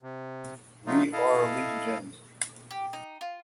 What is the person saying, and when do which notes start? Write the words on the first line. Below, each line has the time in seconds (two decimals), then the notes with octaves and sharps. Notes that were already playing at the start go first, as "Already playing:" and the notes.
We are Legion!
0.03 C3
0.87 F#3 A3 D#4 F4
1.13 E4 A4 D#5 F5
2.71 G4
2.93 D#4
3.21 F4